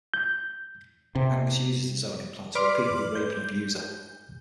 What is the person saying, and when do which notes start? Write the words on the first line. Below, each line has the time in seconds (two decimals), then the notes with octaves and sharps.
Angus uses the zone implant to repeatedly rape and abuse her.
0.14 G6
1.15 C3
2.55 B4 D5 C6 D6 F6
3.15 G6